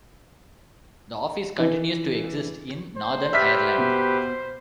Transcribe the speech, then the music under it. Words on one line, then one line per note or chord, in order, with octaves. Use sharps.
The office continues to exist in Northern Ireland.
E3
C5
G4 B4 D5 E5 F6 B6
B2